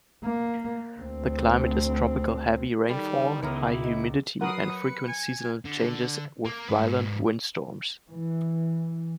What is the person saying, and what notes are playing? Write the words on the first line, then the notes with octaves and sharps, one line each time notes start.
The climate is tropical-heavy rainfall, high humidity, and frequent seasonal changes with violent windstorms.
A#3
D2 C4
D#3 G3 D#4 A4
C#2 B3 E4 C#5 A#5 D#6 F6
D#5
F#3 F#4 A#4 B4 F#5 D#6 C7
C#7
G#5
D3
A#3
G#2 B4
E3